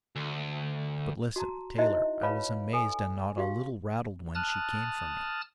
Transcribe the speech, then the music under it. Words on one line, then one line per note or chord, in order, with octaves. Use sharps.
But listen, Taylor. I was amazed, and not a little rattled when she came for me.
D2
F#4 A5 A#5
D#4 E4 F#4 C5 D#5 E5
B4 C#5 F5 A5 B5
A4 G#5
F#4 G4 F5
A5 D#6 F6 F#6 A6